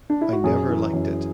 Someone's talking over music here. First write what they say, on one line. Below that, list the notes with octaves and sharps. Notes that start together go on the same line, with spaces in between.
I never liked it.
D4
E4
F#4
F#2 G#4
E3
F#2